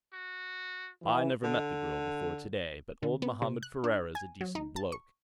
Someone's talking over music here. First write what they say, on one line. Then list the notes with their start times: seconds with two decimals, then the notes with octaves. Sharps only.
I never met the girl before today, but old Mohammed Ferriera's a decent bloke.
0.13 F#4
1.03 E3
1.44 D3
3.03 D3
3.22 B3
3.42 C3
3.63 F#6
3.84 D4
4.15 G#5
4.41 F#3
4.55 D#4
4.76 A5
4.92 C#6